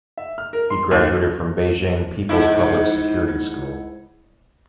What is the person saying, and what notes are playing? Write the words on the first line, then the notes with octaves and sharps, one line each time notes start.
He graduated from Beijing People's Public Security School.
E5
F6
A#4
C6
D#2
G#2 E4